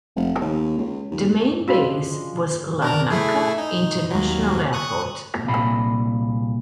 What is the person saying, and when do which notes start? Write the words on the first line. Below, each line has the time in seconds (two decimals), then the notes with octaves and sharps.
Its main base was Larnaca International Airport.
0.16 F1
0.41 D#2
0.77 C#2
1.11 D#2
1.68 F3 G#3 C#4 D4 F#4
2.82 D4 A#4 A#5
3.10 A3 E4 G#4
3.58 D#4
4.11 D#2 F#3
4.73 C#6 D#6 F#6
5.45 C2 A#2 B5